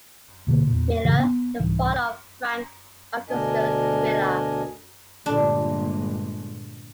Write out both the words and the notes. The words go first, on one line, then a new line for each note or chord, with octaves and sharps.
Miller, the father of Frank Augustus Miller.
D#2 B2 D3 A#3
E2 A#2
F#2 A2 C#3 E3
B3
C2 G#2 E3
D2 B2 D4 A#4 D#5 G#5
G1 A#2 G#3 D4